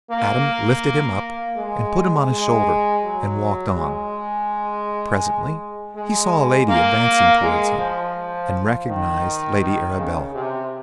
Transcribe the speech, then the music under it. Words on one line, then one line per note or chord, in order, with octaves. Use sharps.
Adam lifted him up and put him on his shoulder and walked on. Presently he saw a lady advancing towards him, and recognised Lady Arabella.
A#3
G#3
G#3
F#3
G#3
G#3
A#3
G#3
F3
D#3
D#3
C#3
C3